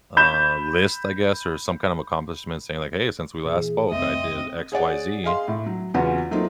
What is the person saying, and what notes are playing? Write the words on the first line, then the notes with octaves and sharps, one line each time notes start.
uh, list, I guess, or some kind of accomplishment saying like, "Hey. Since we last spoke, I did X Y Z."
B5 G6 E7
A#2 E3 G#4
C2 F2 A3 C4 D#5 E5
G#4 C#5 D5 F#5
G#4 D#5 F5 C6
A2
F#3
E2 C#3 C#4 F4 F#4 B4
F#3 A3 A#3 C4 D#4 F4